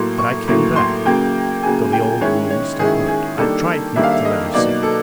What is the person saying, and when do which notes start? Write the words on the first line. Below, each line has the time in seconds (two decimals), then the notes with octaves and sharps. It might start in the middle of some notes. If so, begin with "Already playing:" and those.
But I came back. Though the old wound still hurt, I tried not to let her see.
Already playing: A2 F#3 A#3 C6
0.18 C#6
0.48 A2 F#3 A#3
0.76 C6
1.05 C#3 F#3 A#3 G5
1.63 C#3 F#3 A#3 G#5
1.92 G5
2.21 D#3 G#3 C#4 E4 C#5
2.50 C#5
2.79 D#3 G#3 C#4 E4 G#4
3.08 G#4
3.37 D#3 G3 A#3 D4 A4
3.96 D#3 G3 A#3 D4 E5
4.03 F5
4.12 E5
4.25 D#5
4.54 B2 F#3 A#3 D#4 D5
4.83 A4